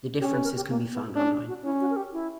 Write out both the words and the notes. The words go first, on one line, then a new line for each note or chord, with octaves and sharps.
The differences can be found online.
C#4 G4
B4
A#4
G4
A#3
B3
C#4 D4
D4
F#4
C#4 E4
F#4
A#4
G4
E4